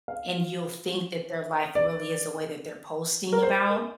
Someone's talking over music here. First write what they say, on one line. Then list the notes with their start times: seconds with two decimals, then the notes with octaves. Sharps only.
and you'll think that their life really is the way that they're posting about,
0.08 F5
1.75 D5
3.33 A#4
3.43 C5
3.70 A#4